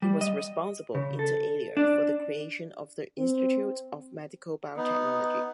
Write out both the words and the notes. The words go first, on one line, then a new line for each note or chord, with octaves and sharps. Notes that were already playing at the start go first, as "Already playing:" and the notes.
He was responsible inter alia for the creation of the Institute of Medical Biotechnology.
G3
D#5
C#3
A4
D4
C4
B3 D#4